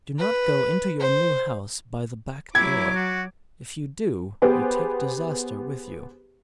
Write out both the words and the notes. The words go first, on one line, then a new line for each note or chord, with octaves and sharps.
Do not go into your new house by the back door; if you do you take disaster with you.
B4
C5
F#3 E4 D6 G#6
F#4
B3 G4 G#4 B4 C5